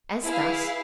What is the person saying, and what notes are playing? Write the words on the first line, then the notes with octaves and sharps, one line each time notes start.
As thus.
E4 G#4 B4 F5